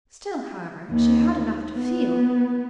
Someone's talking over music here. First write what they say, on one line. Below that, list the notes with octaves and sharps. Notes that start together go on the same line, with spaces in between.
Still, however, she had enough to feel!
D#2
B3